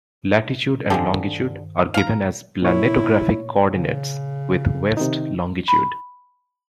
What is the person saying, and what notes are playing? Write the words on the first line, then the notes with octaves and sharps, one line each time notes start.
Latitude and longitude are given as planetographic coordinates with west longitude.
G2 D3 D#3 F3 G#3 G4 A4
F5 A#5
A#2 E4 C#5
C#3
C3 D#3 D#4
B5